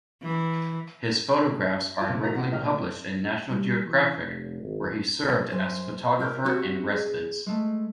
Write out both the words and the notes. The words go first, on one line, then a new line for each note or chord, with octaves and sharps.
His photographs are regularly published in "National Geographic", where he served as photographer-in-residence.
E3
F3 F4 A5 D6
C3
A1 A#3 D#4 F#4 A#5
F#5 G5
C#2 A#2 C#4 D#5 G5 F6
A3 E5 D6
G3
E3
F1
G#1
F#2 C5 G#5
F4 A#4 D5 E5
C4 E4 F#4 G4 E5 F#5
G#4
G#3 A3